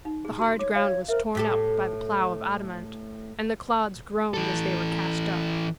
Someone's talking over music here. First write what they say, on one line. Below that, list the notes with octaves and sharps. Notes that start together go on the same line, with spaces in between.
The hard ground was torn up by the plow of adamant, and the clods groaned as they were cast up.
D#4
G#4
F#4 C6
C#5 D6
C#5 F5
A#4 C5 E5
A2 G4 A4
E3 A4